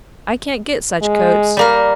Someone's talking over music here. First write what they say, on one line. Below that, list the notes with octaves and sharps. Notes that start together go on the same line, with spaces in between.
I can't get such coats.
G#3
G3 A#3 A#4